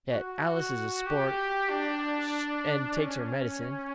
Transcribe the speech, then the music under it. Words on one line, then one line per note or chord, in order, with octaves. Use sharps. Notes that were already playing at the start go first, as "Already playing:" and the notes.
Yet Alice is a sport, and takes her medicine.
F#4
F#4
G4
D4
C#4